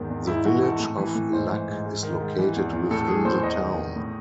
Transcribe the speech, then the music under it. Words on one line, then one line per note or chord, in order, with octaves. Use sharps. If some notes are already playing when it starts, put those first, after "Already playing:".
The village of Luck is located within the town.
Already playing: E2 G#2 D#3
E2
G#2 E4
E3 F#4
G#2 A4
A2
E3
A2
G#2 C5
E3
G#2
G#2
D#3
G#2
E3
E2
E2
A2 A4
E3 G#4
A2 C5
E2 D#5
D#3
E2
A2